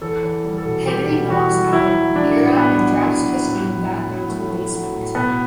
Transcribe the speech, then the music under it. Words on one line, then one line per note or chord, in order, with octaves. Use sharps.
Henry knocks out Meera and drags Christine back down to the basement.
E2 A4
E2
G3
A4
B2
G3 G4
B2
E2 F#4
G3
F#3 E4
F#3
F#3 D4
A2
A2 B3
F#3
A2
F#3
A2
A2
A2
A2
A3
A3
F#3
A2
B2 B3